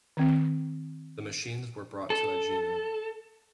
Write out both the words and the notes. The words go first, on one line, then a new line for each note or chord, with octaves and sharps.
The machines were brought to Aegina.
D#3 C4
A4